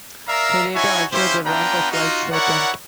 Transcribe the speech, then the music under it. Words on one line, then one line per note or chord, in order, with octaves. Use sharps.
He later achieved the rank of Flight Sergeant.
A#4 D5 E5 F5 A#5
D#4 E4 F#4 C#5 E5 G#5
C#4 E4 F4 G4 C5
B3 D4 F4 G5 A#5
D#4 F4 F#4
E4 A#4 C#5 D5 F#5